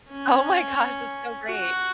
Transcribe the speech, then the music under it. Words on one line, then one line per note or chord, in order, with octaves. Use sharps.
Oh my gosh. That's so great.
C#4
F#4